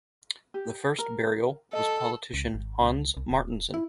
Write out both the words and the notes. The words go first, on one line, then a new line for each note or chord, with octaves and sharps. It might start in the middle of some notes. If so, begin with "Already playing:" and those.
The first burial was politician Hans Martinson.
G4
A#4
A4 D#5
C#2
G#1
C#2
C2
D#1
E4